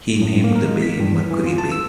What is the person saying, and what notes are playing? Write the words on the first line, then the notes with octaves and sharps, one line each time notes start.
He named the bay Mercury Bay.
A2
A#3
A#4
G#3
B6
G2
E3
E3
F4
A5
E6